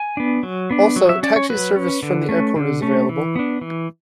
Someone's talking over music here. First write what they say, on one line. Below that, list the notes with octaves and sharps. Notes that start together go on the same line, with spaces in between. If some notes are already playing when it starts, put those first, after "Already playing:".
Also taxi service from the airport is available.
Already playing: G#5
B3 D4
F#3
B3 D4
F#3
E5
C#4 D5
C#5
F#3 B4
C#4
D3
A3 C#4
D3
A3 C#4
E3
B3 D4
E3